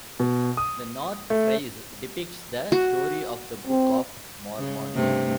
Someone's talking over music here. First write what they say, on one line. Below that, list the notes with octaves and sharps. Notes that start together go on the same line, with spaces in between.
The north frieze depicts the story of the "Book of Mormon".
B2
D#6
A3
F#4
C4
C#3
G2 C3 A3